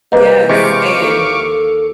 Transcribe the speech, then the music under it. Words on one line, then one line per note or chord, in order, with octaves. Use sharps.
Yes, and
C3 A#3 B4 D#5 G6
C3 E3 G#3 F5 C#6 D6
D#2 A4